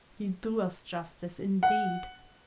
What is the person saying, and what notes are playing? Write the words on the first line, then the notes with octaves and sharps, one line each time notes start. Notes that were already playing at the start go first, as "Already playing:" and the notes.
You do us justice, indeed.
F#5